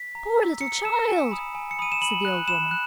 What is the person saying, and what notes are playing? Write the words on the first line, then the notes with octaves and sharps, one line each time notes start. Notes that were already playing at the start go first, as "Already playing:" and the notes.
"Poor little child!" said the old woman.
Already playing: B6
A#5
E6
A#5 C#7
E6 E7
G#5
B5 D#6
G#5
C#7
B5 D#6 D#7
E7
B5 F#7
F#6
B5 E7
F#6